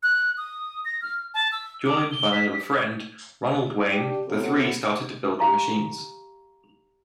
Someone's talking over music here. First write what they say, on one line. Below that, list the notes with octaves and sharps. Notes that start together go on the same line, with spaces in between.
Joined by another friend, Ronald Wayne, the three started to build the machines.
F#6
D#6
A#6
F6
A5
E6
D6
G7
B6
D4 G4
C3 F#3 B3 C4 E4 A4
G4 F5 A#5 C#6